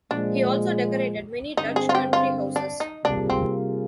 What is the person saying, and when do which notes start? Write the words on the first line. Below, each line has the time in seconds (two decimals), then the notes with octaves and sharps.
He also decorated many Dutch country-houses.
0.11 A#2 F3 G#3 D4
1.57 G2 D3 G#3 C4 D#4
1.76 G#4
1.89 F4
1.95 G4
2.13 F4
2.56 D4
2.80 D#4
3.05 C3 G3 A#3 D4 F4 G#4
3.30 C4